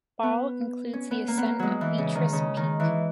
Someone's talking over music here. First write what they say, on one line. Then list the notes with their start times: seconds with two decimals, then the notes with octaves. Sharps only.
Ball includes the ascent of Beatrice Peak.
0.23 B3
0.93 C#4
1.11 B3
1.28 A#3
1.38 B3
1.46 A#3
1.59 F#3 G#3
1.81 E3
1.98 C#3
2.15 D#3
2.33 C#3
2.57 D#3
2.80 E3